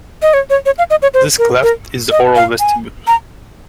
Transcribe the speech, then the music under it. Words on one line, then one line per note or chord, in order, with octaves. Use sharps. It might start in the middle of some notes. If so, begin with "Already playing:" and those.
This cleft is the oral vestibule.
D#5
C#5
C#5
C#5
F5
D#5
C#5
C5
A#4
A#4
D#5
F5
G#5
A#5